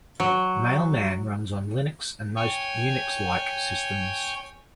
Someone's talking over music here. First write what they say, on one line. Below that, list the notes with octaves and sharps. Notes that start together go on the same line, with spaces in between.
Mailman runs on Linux and most Unix-like systems.
F#3
C#5 G5 G#5